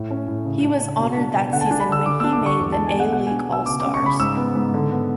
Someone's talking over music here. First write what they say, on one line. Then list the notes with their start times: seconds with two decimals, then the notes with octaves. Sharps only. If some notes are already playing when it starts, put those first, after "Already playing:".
He was honored that season when he made the A League all stars.
Already playing: A2
0.11 C#4
0.28 A2
0.45 C#3
0.64 D4
0.82 C#3
0.99 B2
1.17 D4
1.36 B2
1.52 D3 F#5
1.61 A5
1.66 G#5
1.71 D4
1.80 B5
1.89 D3 E6
2.06 D3 D6
2.20 E6
2.24 D4
2.33 D6
2.41 D3 C#6
2.60 E2
2.72 A5
2.77 G#3
2.87 G#5
2.96 B3 F#5
3.13 B2 F#5
3.27 G#5
3.31 D4
3.49 B2 E6
3.66 C#3 D6
3.80 D6
3.85 C#4
3.94 C#6
4.02 C#3 B5
4.20 G#2 E6
4.37 B3
4.55 G#2
4.74 D3
4.92 B3